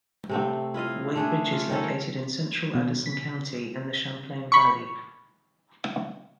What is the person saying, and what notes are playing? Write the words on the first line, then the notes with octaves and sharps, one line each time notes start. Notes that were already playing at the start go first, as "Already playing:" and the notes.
Weybridge is located in central Addison County in the Champlain Valley.
C3 A3 C4
E4 F4 D#5 F5
A3 D4 G#4
F4
D#3 C#4 A4
B2
B6
B5 C#6